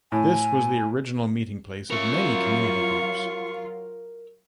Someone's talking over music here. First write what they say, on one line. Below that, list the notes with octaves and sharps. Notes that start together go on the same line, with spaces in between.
This was the original meeting place of many community groups.
A2 G#5
F#3 F4 A#4 E5 C#6